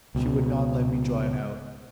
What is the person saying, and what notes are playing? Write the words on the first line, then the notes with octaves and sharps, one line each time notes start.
She would not let me draw it out.
C#2 B2